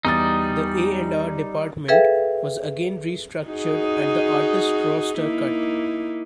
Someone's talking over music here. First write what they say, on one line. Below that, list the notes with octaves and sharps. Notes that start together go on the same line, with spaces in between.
The A and R department was again restructured and the artist roster cut.
E2 G3 D#4 D#6 A6
G#4 A4 B4 E5 F5 G5
D#4 F#4 G#4
A#3 D#4 E4